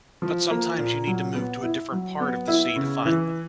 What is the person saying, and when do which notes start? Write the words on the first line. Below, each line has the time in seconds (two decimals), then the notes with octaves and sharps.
but sometimes you need to move to a different part of the sea to find them.
0.22 F3
0.51 A#3
0.78 A#2
1.07 F#3
1.35 B3
1.63 E4
1.92 F#3
2.20 B3
2.48 E4
2.76 C#3
3.05 E3